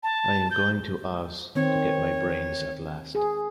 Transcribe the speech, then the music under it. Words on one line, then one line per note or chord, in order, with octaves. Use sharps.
I am going to Oz to get my brains at last.
A5
G6
D#3 C4 C#5
G#4